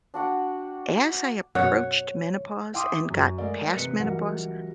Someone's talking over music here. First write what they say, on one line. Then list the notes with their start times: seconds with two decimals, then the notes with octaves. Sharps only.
as I approached menopause and got past menopause,
0.14 D4 F#4 F#5 G5
1.55 F#2 B2 C#5 F#5
2.74 E4 G5 C6 D6 D#6
3.10 F#2
3.38 G#3 A3 A#4 D5
3.76 A1 C3 B4 C#7
3.99 C#2 E3 F#3 G3 A#4 F#5